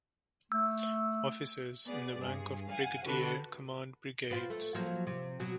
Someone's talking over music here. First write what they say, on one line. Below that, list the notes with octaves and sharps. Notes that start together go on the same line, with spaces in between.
Officers in the rank of brigadier command brigades.
A3 E6
B3 G#4 D5
G2 G#4
F5 F#5 G#5
D3 F#4 G4 A4 B4
C4 F4 B4
A3
F3 F#3 A#3
C3
B2 F#3